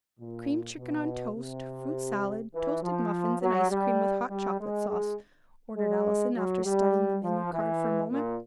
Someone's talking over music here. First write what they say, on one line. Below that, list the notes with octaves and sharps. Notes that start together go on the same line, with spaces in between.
"Creamed chicken on toast, fruit-salad, toasted muffins, and ice-cream with hot chocolate sauce," ordered Allison after studying the menu-card for a moment.
A#2
B2
C3
E3
F3
F#3
G3
G3
G#3
G#3
G#3
F#3
G3
F3
E3
A#2